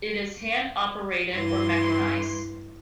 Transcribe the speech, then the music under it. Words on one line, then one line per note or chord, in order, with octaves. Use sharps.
It is hand operated or mechanized.
G2 E3 C6